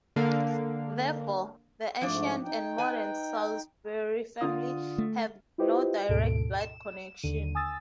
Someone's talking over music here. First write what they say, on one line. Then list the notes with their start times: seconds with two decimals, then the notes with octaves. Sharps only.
Therefore, the ancient and modern Salusbury family have no direct blood connection.
0.16 D3 A#3 F5
2.01 G#2 F3 A3 D4
2.44 D#4 G5
2.78 B4 G#5
4.41 D3 F4 D#6
4.98 A3
5.58 E4 F4 G4 B4 C5 D#5
6.09 D2 G#2 B2 A4 D7
6.60 E7
7.23 D#2 D3 D#7
7.55 G#5 D#6 E6 A6